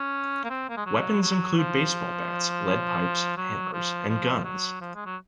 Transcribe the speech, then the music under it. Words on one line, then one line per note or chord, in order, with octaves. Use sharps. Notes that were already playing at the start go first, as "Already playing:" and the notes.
Weapons include baseball bats, lead pipes, hammers and guns.
Already playing: C#4
A#3
C4
A#3
G#3
F#3
F#3
F3
F#3
F3
F3
F#3
F3
G#3
F#3